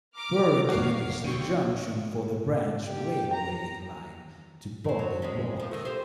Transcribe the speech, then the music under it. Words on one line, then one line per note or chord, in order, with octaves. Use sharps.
Burakin is the junction for the branch railway line to Bonnie Rock.
A#5 D6 F6
F#4 C#5 F5
D2 D3 G5 C#6
G4
A#5
A2 C4
F#3
G#3 C4 C#4
F3
D#3 A3
G4 C5